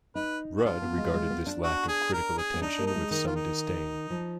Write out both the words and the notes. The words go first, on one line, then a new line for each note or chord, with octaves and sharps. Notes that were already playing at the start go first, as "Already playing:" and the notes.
Rudd regarded this lack of critical attention with some disdain.
D#4 B4
F#4
D4 F4
B3
G#3
G#3
B3
D4
F#4
G#4
A#4
G#4
B3
D4 D#4
A#3
D#4
G#3
D#3 D#4
F4
D#4
F3